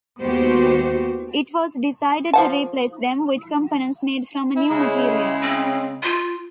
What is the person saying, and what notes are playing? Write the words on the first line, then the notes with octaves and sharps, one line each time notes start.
It was decided to replace them with components made from a new material.
D#2 G#3 B3 F#4 G4 C5
F3 F#5 A5
E4
C#3 G#3
C4
F4